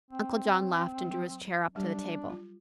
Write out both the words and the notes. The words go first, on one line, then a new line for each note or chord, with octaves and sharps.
Uncle John laughed and drew his chair up to the table.
C4
F#3
F#3 G3 D4 G4
F4